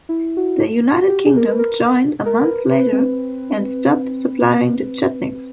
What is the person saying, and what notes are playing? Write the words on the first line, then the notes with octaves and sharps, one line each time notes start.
The United Kingdom joined a month later, and stopped supplying the Chetniks.
E4
F#4
F#4
G4
G#4
A#4
B4
A#4
A#4
B4
B4
B4
C4